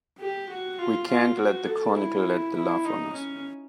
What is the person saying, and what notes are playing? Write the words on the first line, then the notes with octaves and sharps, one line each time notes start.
We can't let the Chronicle get the laugh on us!
G4
F#4
F4
F4
F#4
A4
E4
E4
D#4
C#4